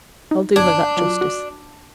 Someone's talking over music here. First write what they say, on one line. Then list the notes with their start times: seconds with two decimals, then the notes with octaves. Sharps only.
I'll do her that justice.
0.31 D#4
0.56 G1 D4 G#6
0.97 F#3 F4
1.21 F#4